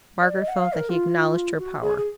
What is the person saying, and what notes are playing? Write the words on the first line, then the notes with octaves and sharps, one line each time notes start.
Margaret felt that he acknowledged her power.
D5
D#5
F#5
F5
A#4
F4
F#4
G#4
G#4